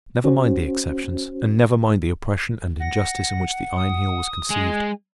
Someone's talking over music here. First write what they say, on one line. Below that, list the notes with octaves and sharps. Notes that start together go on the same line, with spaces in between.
Never mind the exceptions, and never mind the oppression and injustice in which the Iron Heel was conceived.
C#4 F#4 C5
F#5 A#6
D#6
G#3 G#5